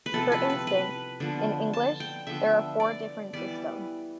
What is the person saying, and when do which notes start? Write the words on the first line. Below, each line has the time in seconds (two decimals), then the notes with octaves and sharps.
For instance, in English, there are four different systems.
0.06 B4
0.14 C3 F3 B3 A4
0.32 B4
0.50 B4
0.67 B4
1.20 D3 F3 B3
1.73 A5
2.00 G5
2.27 D3 F3 B3 E5
2.80 D5
3.33 E3 G3 B3 D5